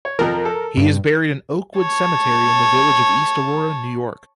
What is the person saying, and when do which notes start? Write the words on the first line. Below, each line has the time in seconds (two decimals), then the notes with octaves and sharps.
He is buried in Oakwood Cemetery in the Village of East Aurora, New York.
0.05 C#5
0.19 F2 F3 A#4
0.45 A4
0.77 G2
1.79 C#5 A5